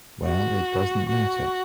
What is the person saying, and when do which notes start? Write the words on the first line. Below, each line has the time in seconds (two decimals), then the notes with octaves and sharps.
Well, it doesn’t matter.
0.24 F#4
1.09 F#4